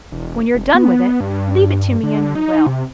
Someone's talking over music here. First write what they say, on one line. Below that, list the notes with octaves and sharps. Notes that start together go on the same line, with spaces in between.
When you're done with it, leave it to me in your will.
E1
F1
B3
G2
D3
D#4
C3